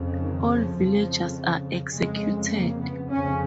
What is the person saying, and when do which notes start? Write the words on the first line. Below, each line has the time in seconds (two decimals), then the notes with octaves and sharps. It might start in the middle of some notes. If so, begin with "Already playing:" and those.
All villagers are executed.
Already playing: F2 C#3
0.20 D#3
0.48 F3
0.78 F2 C#3
1.93 F2 C#3 G#3
2.52 A#3
2.80 B3
3.10 F2 C#3 C#4